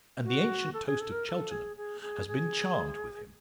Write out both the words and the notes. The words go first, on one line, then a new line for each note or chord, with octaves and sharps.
And the ancient toast of Cheltenham has been charmed with him.
F#4
A4
G#4
A4
A#4
A#4
A4
G#4
G#4
G#4
G#4